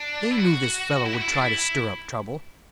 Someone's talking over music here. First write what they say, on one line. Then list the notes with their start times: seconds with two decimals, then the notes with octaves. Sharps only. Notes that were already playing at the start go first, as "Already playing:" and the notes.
They knew this fellow would try to stir up trouble.
Already playing: D4
0.31 E4
0.37 F#4
1.05 E4
1.13 F#4
1.21 E4
1.30 D4
1.41 E4